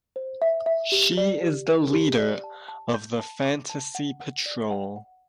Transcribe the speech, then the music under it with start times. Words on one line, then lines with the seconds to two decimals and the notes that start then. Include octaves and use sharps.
She is the leader of the Fantasy Patrol.
0.16 C5
0.42 E5
0.66 E5
0.92 G4
1.17 D5
1.42 G4
1.68 A#4
1.93 G4
2.18 D5
2.44 A5
2.68 A5
2.94 G6
3.19 A5
3.45 D6
3.70 A5
3.95 F#5
4.20 F#5
4.46 D5
4.71 F#5
4.96 F#5